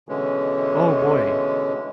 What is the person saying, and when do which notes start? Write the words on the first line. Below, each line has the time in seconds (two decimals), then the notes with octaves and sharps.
oh, boy,
0.09 B2 D3 E3 G#3 C#4